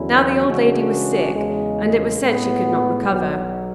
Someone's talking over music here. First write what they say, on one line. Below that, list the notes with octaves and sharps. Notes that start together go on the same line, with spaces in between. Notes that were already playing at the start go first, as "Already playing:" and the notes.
Now the old lady was sick, and it was said she could not recover.
Already playing: E2 D3 F#3 C#4 E4
C#3 E3 G#3 D4 F#4
E2 C#3 G#3
A2 G#3 B3
B1 B2 F#3